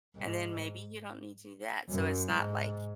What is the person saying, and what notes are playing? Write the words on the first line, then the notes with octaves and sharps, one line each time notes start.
and then maybe you don't need to do that." So, it's not, like,
G#2
F#2
G#2